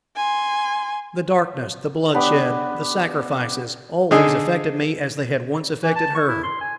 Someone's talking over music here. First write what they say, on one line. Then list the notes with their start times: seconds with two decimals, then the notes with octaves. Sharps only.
The darkness, the bloodshed, the sacrifices, all these affected me as they had once affected her.
0.16 G#5 C6
2.14 B3 D4 G4 B4
4.11 D3 D#4 G#4
5.84 E3
5.96 A5
6.15 C#6
6.28 E4
6.43 C6
6.61 G#5